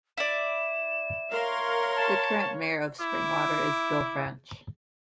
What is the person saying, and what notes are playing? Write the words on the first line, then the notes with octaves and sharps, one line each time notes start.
The current mayor of Springwater is Bill French.
E4 D5 E7
A#4 C#5 F5 C6
A5
E4 E5 D6